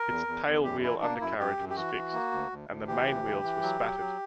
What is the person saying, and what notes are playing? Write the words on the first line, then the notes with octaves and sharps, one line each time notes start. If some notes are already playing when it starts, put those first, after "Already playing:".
Its tailwheel undercarriage was fixed, and the mainwheels were spatted.
Already playing: A#4
E2
E2
E2
F#2 G4
E3 E4
A#3 D4
F#2 E4
F#2 G4
F#2
G4
E3 F#4
E3
A#3
D2
D2
D2
E3 G4
D2
E3
E3
F#3
F#3
F#3